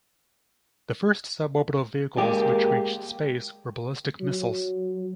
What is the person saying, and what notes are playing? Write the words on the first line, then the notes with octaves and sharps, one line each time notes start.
The first sub-orbital vehicles which reached space were ballistic missiles.
G#3 A#3 G4
F#3